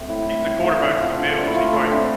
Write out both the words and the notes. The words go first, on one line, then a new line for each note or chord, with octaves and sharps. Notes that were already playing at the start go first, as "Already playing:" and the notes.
He's the quarterback for the Bills. He's, like
Already playing: A3 C4
A2 E4
A2
A2
A3
D3
F3
D3
D3
E4
A3 F4
A3 E4
D3 C4